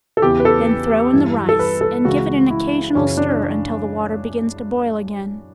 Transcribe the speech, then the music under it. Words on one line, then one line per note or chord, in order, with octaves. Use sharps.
Then throw in the rice, and give it an occasional stir until the water begins to boil again.
A4
E2 C#3 E3 G4
B4
A4
G2 E3
A4
B4
A4
C#2 C#3 E3 F#4
E4
F#2 C#3 E3 C#4
D4